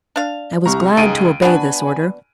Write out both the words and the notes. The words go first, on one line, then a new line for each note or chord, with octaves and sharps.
I was glad to obey this order.
D4 F5
C2 A#5 C#6
C#2 D#4 G#4 D7 D#7
B3 D4 F#4 G#5 B5